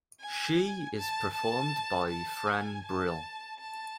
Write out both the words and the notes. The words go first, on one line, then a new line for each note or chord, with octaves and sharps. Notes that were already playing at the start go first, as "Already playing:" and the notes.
She is performed by Fran Brill.
G#5
A5
A5
A5
G#5
A5
A5